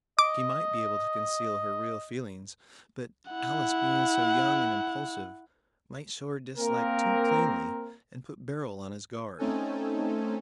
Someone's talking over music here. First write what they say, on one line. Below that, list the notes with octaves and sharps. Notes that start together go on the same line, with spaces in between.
She might be able to conceal her real feelings, but Alice being so young and impulsive might show her dislike too plainly and put Beryl on his guard.
D#5 D6
E4 F#5
A#3 C4 A#4
A3 C4 C#4 D#4 A4 G#5